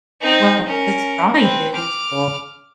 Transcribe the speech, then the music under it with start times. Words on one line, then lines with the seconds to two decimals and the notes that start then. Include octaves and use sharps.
Well, just drawing things o
0.21 C4 D#4
0.66 C#4 A#4
1.37 C4 B4
1.73 D6 F6